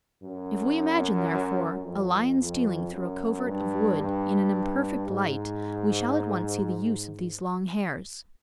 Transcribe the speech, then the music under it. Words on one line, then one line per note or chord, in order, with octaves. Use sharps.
If we imagine, therefore, a lion stealing through a covert of wood in an imperfect light, we shall at once see the use of these long hairs.
F#2
F2
F2
F#2
G2
G2
G#2